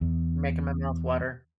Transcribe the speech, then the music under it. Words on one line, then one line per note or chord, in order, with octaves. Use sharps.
Making my mouth water.
E2